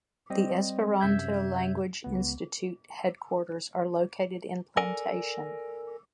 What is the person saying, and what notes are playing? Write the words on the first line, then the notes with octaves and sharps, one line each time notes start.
The Esperanto language institute headquarters are located in Plantation.
G3 C4 D#5
F#2 C3 E5 G6 G#6
C#2 B3
A4 A#4 D5 G#5